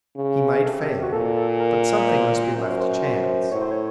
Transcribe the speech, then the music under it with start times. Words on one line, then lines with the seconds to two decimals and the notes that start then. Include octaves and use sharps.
He might fail, but something must be left to chance.
0.16 C#3
0.64 C3 A4
1.02 F#4
1.12 A#2 A4
1.36 A4
1.60 A#4
2.08 C5
2.56 F#2 C5
2.80 C5
3.52 A2 C#5
3.61 C5
3.71 C#5